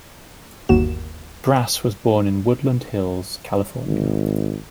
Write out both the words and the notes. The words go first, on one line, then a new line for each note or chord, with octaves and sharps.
Brass was born in Woodland Hills, California.
G1 D#2 A#3 F#4 E7
G#1